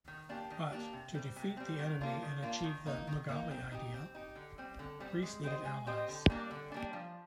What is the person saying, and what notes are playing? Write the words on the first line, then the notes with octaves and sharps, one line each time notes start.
But to defeat the enemy and achieve the "Megali Idea", Greece needed allies.
D#3
A#3 D4 G4
D#3
A#3 D4 G4
C3
G3 C4
C3
G3 C4
D#3
A#3 D4 F4
D#3
A#3 D4 F4
D#3
A#3 D#4
D#3
A#3 D#4
C4
D#4 G4
C4
D#4 G4
D3
G3 C4
D3
G3 C4
G#3
C4 G4 C5 D#5
G#3
C4 G4 C5 D#5
D3
G3 A#3 D4
D3
G3 A#3 D4
F3